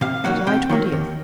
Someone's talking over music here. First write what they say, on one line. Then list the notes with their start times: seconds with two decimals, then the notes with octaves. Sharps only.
July Twentieth.
0.01 C3 F5
0.24 D#3 F#3 A#3 F#5
0.47 C3 G5
0.69 D#3 F#3 A#3
0.92 D#2